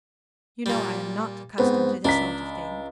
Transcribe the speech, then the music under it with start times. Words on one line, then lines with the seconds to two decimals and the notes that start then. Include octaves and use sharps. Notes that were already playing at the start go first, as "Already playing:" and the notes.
You know I am not accustomed to this sort of thing.
0.66 A#2 G3
1.58 G#2 B3 C4 B4
2.05 C#2 D4 A#5 B6